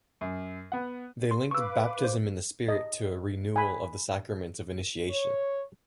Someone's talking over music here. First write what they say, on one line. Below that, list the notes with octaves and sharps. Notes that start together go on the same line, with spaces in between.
They linked baptism in the Spirit to a renewal of the sacraments of initiation.
F#2
B3 F#5
C6
B4 F5 C#6 D6 E6
C5
D#5
G#5 B5
C#5